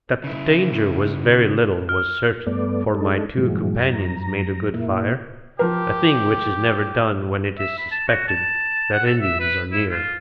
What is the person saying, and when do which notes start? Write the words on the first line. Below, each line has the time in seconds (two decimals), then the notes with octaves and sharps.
That the danger was very little was certain, for my two companions made a good fire--a thing which is never done when it is suspected that Indians are near.
0.24 C#3 E4
1.89 F6
2.46 G2 A3 B3 D5
2.95 G#3 D4 D#4 A4
3.37 G2 A#2 E3 F#3 G#3
3.79 F#2 A#5
4.74 A#2 A#3 E4
5.59 F3 G4 A#4
7.59 E5
7.78 B5
7.92 A5
8.08 F#4
8.28 A5
8.93 F#5
9.05 A4
9.21 E5
9.40 B4
9.72 E4
9.90 F4